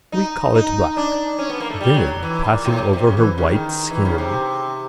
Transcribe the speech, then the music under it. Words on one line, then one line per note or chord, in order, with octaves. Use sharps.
We call it black. Then passing over her white skin.
D#4
D#4
D4
C#4
B3
A#3
A3
G3
F#3
E3
A#2
A2
A#2
C3
C#3
E3
C#3
D#3
E3
C#3
C3